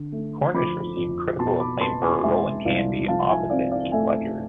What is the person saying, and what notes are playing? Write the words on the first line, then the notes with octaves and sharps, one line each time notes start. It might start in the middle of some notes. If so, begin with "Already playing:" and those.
Cornish received critical acclaim for her role in "Candy", opposite Heath Ledger.
Already playing: D3
A3
F3 B5 D6
F2
B2 A5 C6
B5 D6
B3 A5 C6
G#5 B5
G#3 E5 G#5
C2 D5 F5
F3 F5 A5
E5 G#5
C4 D5 F5
D5 F5
A3 E5 G#5